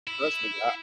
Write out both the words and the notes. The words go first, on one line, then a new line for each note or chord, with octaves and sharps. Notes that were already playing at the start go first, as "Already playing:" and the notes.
Trust me. I
E4